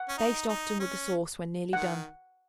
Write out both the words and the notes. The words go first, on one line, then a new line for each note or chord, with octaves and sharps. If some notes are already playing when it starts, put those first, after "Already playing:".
Baste often with the sauce when nearly done.
Already playing: F#5
C#4
D#4
D#4
C#4
D#3 F#5